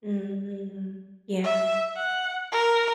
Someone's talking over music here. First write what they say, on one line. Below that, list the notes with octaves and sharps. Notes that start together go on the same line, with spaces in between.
Mhm. Yeah.
E5
F#5
A#4